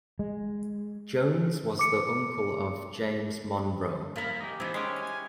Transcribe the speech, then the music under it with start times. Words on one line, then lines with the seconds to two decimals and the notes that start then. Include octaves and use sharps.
Jones was the uncle of James Monroe.
0.19 G#3
1.79 D6 C#7
4.16 A#3 B3 A#4 E5 B5
4.41 G#3 D#4 G4
4.60 E3 F3 B3 C4 D#4 E4
4.74 G#3 C#4 G4 F5 G5
5.02 G#5